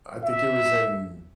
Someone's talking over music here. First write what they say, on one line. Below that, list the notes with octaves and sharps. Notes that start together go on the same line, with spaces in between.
I think it was in
E5